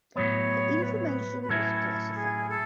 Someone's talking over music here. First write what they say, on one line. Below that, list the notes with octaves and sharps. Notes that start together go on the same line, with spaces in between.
That information is classified.
A2 F#3 B3 C#5
B4
C#5
B4
B4
A2 F#3 C#4 E4 A4
G#4
A4